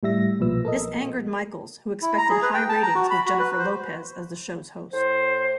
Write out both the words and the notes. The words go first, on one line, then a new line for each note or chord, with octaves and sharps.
This angered Michaels, who expected high ratings with Jennifer Lopez as the show's host.
A2 G3 E5 A#6
B1 A#2 F3 B4 E6
A4 A#4 D#5
E4
A#5
G#4
B4
G5
A5
A#5
F#4
B5
F#4
B4
C5
A2 C5